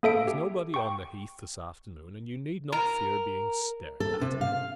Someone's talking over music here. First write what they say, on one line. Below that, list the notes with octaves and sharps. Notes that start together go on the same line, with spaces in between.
There is nobody on the heath this afternoon, and you need not fear being stared at.
A#3 A4 E5 D7
G4
G5 C#6
A#4
A4
C3
F5